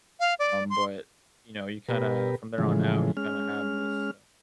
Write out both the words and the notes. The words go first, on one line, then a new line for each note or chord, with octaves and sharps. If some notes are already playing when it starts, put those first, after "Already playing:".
Um, but, you know, you kinda from there on out, you kinda have this, uh,
F5
D5
C6
B2 G4 A#4 B4
A2 C#3 E3 F3 G#3
G#3 C#4 F6